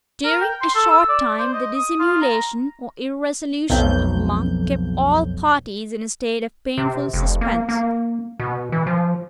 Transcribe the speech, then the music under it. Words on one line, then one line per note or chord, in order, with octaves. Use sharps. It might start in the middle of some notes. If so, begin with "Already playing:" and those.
During a short time the dissimulation or irresolution of Monk kept all parties in a state of painful suspense.
A#4
G5
C6
A4
E6
D5
C5
D#5
D#6
F4
A#5
B1 F2 G6
C3
F1
A#3
A#3
B2
E3
F3